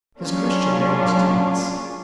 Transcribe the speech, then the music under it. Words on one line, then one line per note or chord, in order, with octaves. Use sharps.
His Christian name was Thomas.
F#3 G#3 A#3 C#4 D4 F4